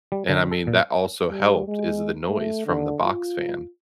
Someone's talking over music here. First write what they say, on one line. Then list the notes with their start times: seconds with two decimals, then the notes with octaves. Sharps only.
and, I mean, that also helped, is the noise from the box fan.
0.12 G3
0.29 D3
0.51 A4
0.67 A#2
1.30 G3
1.68 G#3
2.30 A3
2.66 D3
3.03 F4